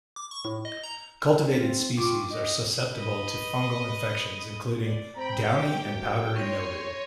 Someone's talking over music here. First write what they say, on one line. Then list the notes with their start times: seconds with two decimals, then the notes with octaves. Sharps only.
Cultivated species are susceptible to fungal infections including downy and powdery mildew.
0.16 D6
0.31 C#6
0.45 A2
0.65 D#5
0.83 A#5
1.52 C4 F4
1.97 F4 G5 C#6 D6
2.31 D#5
2.92 B4 D#5
4.83 D5
5.16 C4 G5 A#5 B5
5.47 F#2 G4 G6
6.36 C#5 C6 C#6 A#6